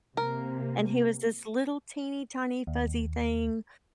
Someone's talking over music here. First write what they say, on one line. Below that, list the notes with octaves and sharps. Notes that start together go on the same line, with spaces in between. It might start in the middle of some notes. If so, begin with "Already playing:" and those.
and he was this little, teeny, tiny, fuzzy thing
C3 A#3 A#4
D#2